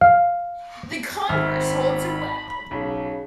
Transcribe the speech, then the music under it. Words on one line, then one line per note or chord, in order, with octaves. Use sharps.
The converse holds as well.
F5
G#1 C4 E5 B5 F6
B1 C#3